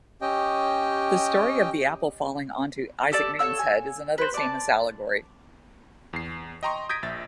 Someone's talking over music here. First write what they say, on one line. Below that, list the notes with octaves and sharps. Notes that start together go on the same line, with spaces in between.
The story of the apple falling onto Isaac Newton's head is another famous allegory.
C#4 G4 D#5 G5
G4 A4 D5
A4 C#5 F5 E6
G#5
B4 C5
D5 A5
E2 C7
D#5 G5 A#5 C6 C#6
D#6 G6 G#6 A#6 B6 D7
A#1 E5 A6